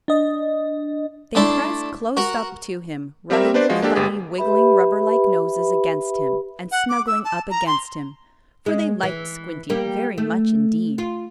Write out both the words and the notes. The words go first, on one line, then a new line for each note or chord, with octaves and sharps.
They pressed close up to him, rubbing their funny, wiggling, rubber-like noses against him, and snuggling up against him, for they liked Squinty very much indeed.
D4 D#5
A3 D4 E4 A5 C6
F#4 A#4 F#5
G3 C4 G4 A#4 E5
D4 B4 C5 D5
F3 G#3 F4 F#4
A#3 D4 G4 A4
G1 G4 G#4 B4
G4 B4 E5 B5
F#5
D6
E6
A5
A#5
C6
G#3
E3
G3 A#3
A3
F4